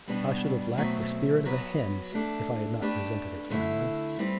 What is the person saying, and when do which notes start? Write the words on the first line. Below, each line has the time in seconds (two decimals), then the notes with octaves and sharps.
I should have lacked the spirit of a hen if I had not resented it finally.
0.07 B2 G3 B3 D4 F#4
0.77 B2 F#3 A3 C4
1.45 F#3 B3 F#4 B4
2.14 A3 D4 A4
2.82 A3 D4 G4 B4
3.50 D3 A3 E4
4.19 G3 C4 G4 B4